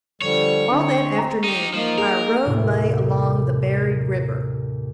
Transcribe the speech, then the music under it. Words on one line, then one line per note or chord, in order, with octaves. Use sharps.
All that afternoon our road lay along the buried river.
D3 F3 G3 C#5 F7
D3 C4
A#5 C#6
D#4 G4
F3 A#3 D#4
G#4 A#4
D#2 A2 C3